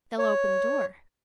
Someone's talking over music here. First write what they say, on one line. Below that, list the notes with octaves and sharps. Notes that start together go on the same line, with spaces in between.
"They'll open the door."
C#5